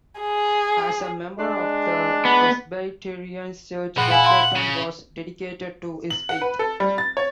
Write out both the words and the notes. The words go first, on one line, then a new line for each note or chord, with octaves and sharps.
As a member of the Presbyterian Church, Templeton was dedicated to his faith.
G#4
G#3 D4
B3
A#2 F3 C4 F#5
E4 F5 G#5 B5
F5 C6
C#3
F#7
F#5
B4
A4
G3
A6
C#5